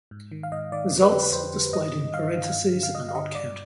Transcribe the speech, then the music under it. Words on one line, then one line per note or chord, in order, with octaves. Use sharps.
Results displayed in parentheses are not counted.
G#2
D#3
F5
G#2 D#5
D#3 D5
F2
B4
D3 G4
B4
F2 C5
D3
G2 D#5
D#3
G2 F5
D#3
G2
D3
F5
G2 D#5
F5
D3 D#5
G2 D5